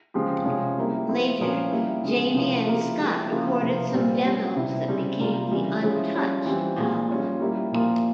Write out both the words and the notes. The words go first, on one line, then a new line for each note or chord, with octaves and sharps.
Later, Jamie and Scott recorded some demos that became the "Untouched" album.
C#3 F3 G#3 C4 G4
C3 F3 G#3 C#4
G3 A#3 E4 G4
F3 C4 E4
A#2 F3 A#3 C#4
G3 A#3 E4 G4
C#3 F3 G#3
C3 F3 G#3 E4
C#3 F3 A#3 E4 G4
F3 G#3 E4 G4
C#3 F3 A#3 E4 G4
C3 F3 A#3 E4
A#2 G3 C4 F4
G3 C#4 G4
C3 G3 C4 E4 G4
C#3 G3 C4
C3 G3 A#3 F4
C#3 E3 G3
F3 G#3 C#4 E4
G3 C#4 F4
E3 G3 C4 G4
A#2 F3 G#3
G3 C#4 F4
G3 A#3 E4 G4
A#2 F3 A#3 F4